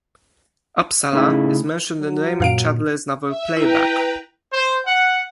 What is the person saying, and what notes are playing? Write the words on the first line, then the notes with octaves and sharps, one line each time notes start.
Uppsala is mentioned in Raymond Chandler' s novel "Playback".
C#3 A3 D#4 E4
F#3
F#2 A#2 F5 D7
E5
E4 B4 G5 A#5
C5
F#5